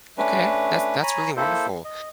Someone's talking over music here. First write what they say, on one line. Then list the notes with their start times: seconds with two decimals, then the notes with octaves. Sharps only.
Okay. That's that's really wonderful,
0.18 A3 C#4 D4 B4
1.03 C#5 G#5 A#5 B5
1.37 A#3 E4 A4 C5
1.85 D#5